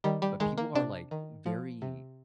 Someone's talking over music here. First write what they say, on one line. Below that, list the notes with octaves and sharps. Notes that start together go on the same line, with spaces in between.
but people are, like, very,
D#3 G3
G3
D#3 G#3
A#3
C3 D4
D#3
F3
C3